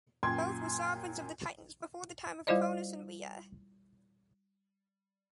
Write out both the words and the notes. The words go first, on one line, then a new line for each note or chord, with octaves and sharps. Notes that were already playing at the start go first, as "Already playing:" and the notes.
Both were sovereigns of the Titans, before the time of Cronus and Rhea.
F#2 A#2 G5 C6 G#6
G3 E4 F4 C5 D5 D#5